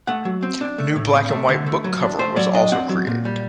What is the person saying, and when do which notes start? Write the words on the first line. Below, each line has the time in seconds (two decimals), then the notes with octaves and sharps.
A new black-and-white book cover was also created.
0.07 A3 F#5
0.25 F#3
0.43 C4
0.61 D4
0.78 A3
0.96 A2
1.14 C4
1.31 A3
1.49 D3
1.66 A3
1.84 F#3
2.01 D4
2.19 A3 C5
2.36 F#3 D5
2.54 D4 D#5
2.72 C4 F#5
2.89 F#3
3.07 A#2
3.25 G3